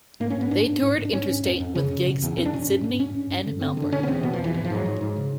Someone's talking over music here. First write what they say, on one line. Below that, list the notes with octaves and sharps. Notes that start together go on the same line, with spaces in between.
They toured interstate with gigs in Sydney and Melbourne.
G#2 A#3
C#4
G#2 B3
G#2 D4
G#2
G#2
G#2
D4
G#2 C#4
G#2
F2
F2
C#3 C#4
C#3
B2
E2
E2 C#4
D4
B2 C#4
G2
G2
G2 C#4
G2
G2
D3
G2 C4
D3
D4
B2 C#4
B3
E2 C4
B2 B3
F3
E2
E3
G#2 E3
F3
G#2 F#3
G#2
G#2
C#3